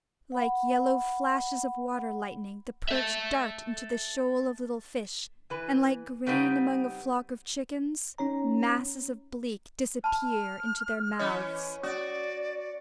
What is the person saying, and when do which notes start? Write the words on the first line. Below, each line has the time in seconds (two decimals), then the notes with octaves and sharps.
Like yellow flashes of water-lightning the perch dart into the shoal of little fish, and like grain among a flock of chickens, masses of bleak disappear into their mouths.
0.32 F#5 B5
2.89 A4 E5
5.50 E3 B4
6.26 C#3 G3 B3 C4 D#4
8.18 C#4 D#4 C#5 A#5
10.04 A5 B5 F6
11.19 E3 C#4 C#5 D#5
11.83 C#4 F#4 D5 D#6